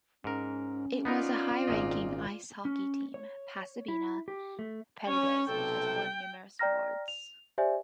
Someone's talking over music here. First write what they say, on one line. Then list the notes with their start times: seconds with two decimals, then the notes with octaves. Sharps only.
It has a high-ranking ice hockey team, Pasadena Predators, which has won numerous awards.
0.24 G#2 C#4 A#4
1.05 B3 D#4 F4 A#4 D5
1.68 G#1 A#2 D#5
2.65 C#4
3.14 C#5
3.88 E4
4.28 G4
4.59 A3
5.08 C#4 C#5
5.48 B1 C3 A4 G5
6.59 D5 G5 A#5 F6 A#6
7.08 F7
7.58 G4 C5 D5 E5 G#5